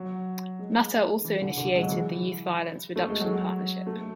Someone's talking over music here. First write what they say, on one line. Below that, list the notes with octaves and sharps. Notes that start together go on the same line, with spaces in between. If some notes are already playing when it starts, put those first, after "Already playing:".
Nutter also initiated the Youth Violence Reduction Partnership.
Already playing: F#3
G#3
E3
D3
D3
G#3
F#3
E3
A3
G#3
F#3
A3